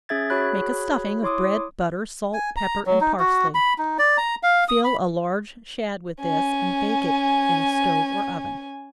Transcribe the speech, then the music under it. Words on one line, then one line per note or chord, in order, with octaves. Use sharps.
Make a stuffing of bread, butter, salt, pepper and parsley; fill a large shad with this, and bake it in a stove or oven.
C#4 G#4 E5 G#6 A6
F#4 G#4 C#5 B5 F#6
E4 C#5 C6 D6 D#6
G#5
A#5
F#3
D#4
F#4
B5
D#4
D5
A#5
F5
D#6
B5
C#4 G#5